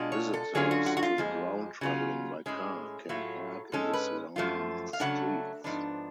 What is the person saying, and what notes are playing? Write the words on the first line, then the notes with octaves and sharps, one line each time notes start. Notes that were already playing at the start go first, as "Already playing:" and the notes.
Visitors to the ground travelling by car can park in the surrounding streets.
Already playing: B2 G#3 D4 F4
C#5
A4
D3 F#3 C#4 F4 G#4
F#4
F#4
F#4
F4
F2 F3 G#3
C#3 F#3 C#4 F4
A2 G#3 C#4 G#4
A2 F#3 A3 F4
G#2 G#3 C#4 A4
B4
F#2 F3 A3 F4
F5
C#3 F#3 A3 D4 F#5
G#2 F3 B3 D4